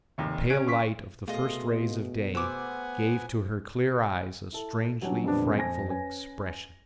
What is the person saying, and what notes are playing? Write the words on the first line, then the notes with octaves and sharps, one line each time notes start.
The pale light of the first rays of day gave to her clear eyes a strangely frightful expression.
F1 D#2 D#3
C#4 F#6 G#6 D7
C6 C#6 B6
B2 A3 F4 G#4 D#5
B3 C5 F#5 G#5 D6 E6
E4 A4
E3 F#3 G3 C#4 D4
F2 A#2 D3 G3 B3 D4
A#2 G#3 A#3 C4
F2 G#5 A#6
C#4 B4 G#5